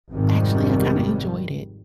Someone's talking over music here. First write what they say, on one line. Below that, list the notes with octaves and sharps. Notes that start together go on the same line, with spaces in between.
actually, I kinda enjoyed it,
G#1 F2 G#2 C3 D#3 G3